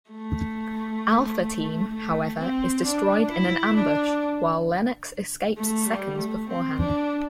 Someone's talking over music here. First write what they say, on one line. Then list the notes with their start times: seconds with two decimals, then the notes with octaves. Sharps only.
Alpha Team, however, is destroyed in an ambush while Lennox escapes seconds beforehand.
0.11 A3
1.93 A3
2.39 C4
2.84 D4
3.29 E4
3.75 D4
5.57 A3
5.88 G3
6.17 A3
6.49 C4
6.79 D4